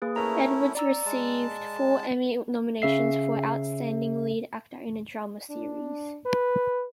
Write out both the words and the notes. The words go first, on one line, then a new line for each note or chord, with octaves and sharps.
Edwards received four Emmy nominations for "Outstanding Lead Actor in a Drama Series".
A#3 G#4 B4
A3 C#4 E4 A#4 A#5
D5 A#5 E6
G#3 A5
C#3 E5 C7
D4
B4